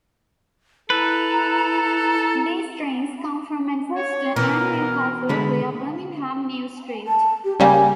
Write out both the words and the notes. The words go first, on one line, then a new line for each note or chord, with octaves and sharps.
These trains come from Manchester and Newcastle via Birmingham New street.
E4 A4 B4 A#5
C#5
B2 E3 A#4
D3 G#3 B5
A5
G4
C#3 G3 A#3 G#5